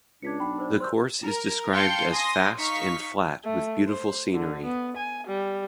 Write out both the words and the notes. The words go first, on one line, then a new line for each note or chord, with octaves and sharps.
The course is described as fast and flat with beautiful scenery.
C#2 D4 G#6 B6 C#7
B1 F#5 G5 B5
A#4 C5 D5
C5 C6 E6 G6
A#4
F5 G5 A5 C6 G6 C#7
G#5 C6 D#6 A#6
D#4 F5 C#6 B6
A3
C5
D3
B3
G#5
G3